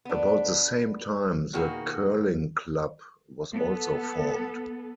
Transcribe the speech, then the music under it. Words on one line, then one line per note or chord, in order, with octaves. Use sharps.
About the same time the Curling Club was also formed.
B3 D4
B2 D#3 A#3 F#4 G#4
B3 A4